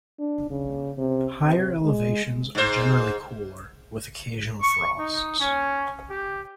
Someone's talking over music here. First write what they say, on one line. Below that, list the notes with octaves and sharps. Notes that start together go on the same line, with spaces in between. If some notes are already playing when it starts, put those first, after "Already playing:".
Higher elevations are generally cooler, with occasional frosts.
D4
C#3
C3
C3
G#3
G#2 C5
C#6
D#4
C#4
G4